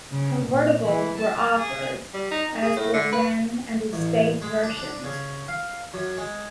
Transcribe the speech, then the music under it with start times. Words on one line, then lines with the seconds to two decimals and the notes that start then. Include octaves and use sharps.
Convertibles were offered, as were van and estate versions.
0.12 C#3
0.46 A#2
0.82 E3
1.18 A5
1.56 G#4
2.14 G3
2.31 D#4
2.49 D#4
2.62 G#4
2.76 A2
2.93 D3
3.13 B4
3.93 A1
4.42 G#3
4.63 D4
4.77 D4
5.04 C#3
5.48 F5
5.94 F#2
6.18 G#3